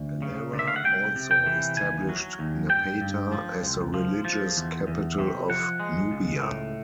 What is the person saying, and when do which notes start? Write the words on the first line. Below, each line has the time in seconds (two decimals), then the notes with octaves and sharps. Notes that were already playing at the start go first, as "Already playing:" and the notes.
Alara also established Napata as the religious capital of Nubia.
Already playing: D2
0.22 C#3
0.53 D2
0.59 E5
0.68 F5
0.76 F#5
0.84 C2 G5
1.16 C3
1.31 G5
1.46 E3
1.77 D#2 G#5
2.09 F#3
2.39 D#2
2.70 G2 G5
3.01 G2
3.32 F3
3.64 C#2
3.94 F3
4.25 F3
4.57 E2
4.87 E2
5.19 C3
5.49 F3 F#5
5.80 G#3
6.11 C#2
6.42 A2